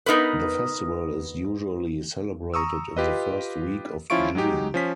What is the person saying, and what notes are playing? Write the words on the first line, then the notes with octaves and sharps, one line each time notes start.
The festival is usually celebrated in the first week of June.
B3 D#4 A#4 B4
A#5 C#6 D#6 E6
F4 G4 B4 D#5
F3 C#4 E4 F4 C#6 D7
F#3 G#3 D#4 G4
F3 C#4 B6